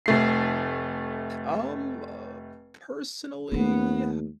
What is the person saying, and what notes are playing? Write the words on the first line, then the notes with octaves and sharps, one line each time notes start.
Um, uh, personally,
F1 A3 C7
D#2 G#3 A3 B3